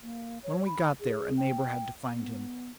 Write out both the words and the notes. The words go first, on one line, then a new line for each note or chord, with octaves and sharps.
When we got there, a neighbor had to find him.
A#3
C#5
B5
G#4
G5
B3